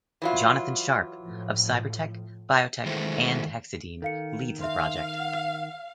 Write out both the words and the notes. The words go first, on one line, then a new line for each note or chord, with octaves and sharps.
Jonathan Sharp, of Cyber-Tec, Biotek, and Hexedene, leads the project.
E3 F#3 F4
A2 F3
D#3 E3 G#3 A3 C5
D#3 A4 F5 C#7
E5 F5 C6
F#5